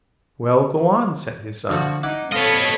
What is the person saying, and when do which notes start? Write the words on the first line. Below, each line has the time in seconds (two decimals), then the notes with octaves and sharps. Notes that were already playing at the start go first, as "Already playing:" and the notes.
"Well, go on!" said his son.
1.69 D3 F3 A3 F#4
2.03 D#4 E4 F#5 D6
2.32 C4 F4 A4 B4 C#5 D#5